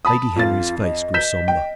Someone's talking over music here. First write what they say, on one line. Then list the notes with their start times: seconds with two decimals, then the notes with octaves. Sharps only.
Lady Henry's face grew sombre.
0.05 A5 B5 D#6
0.36 F2 F4 A6
0.83 D#5
1.14 G6 B6 E7
1.48 G5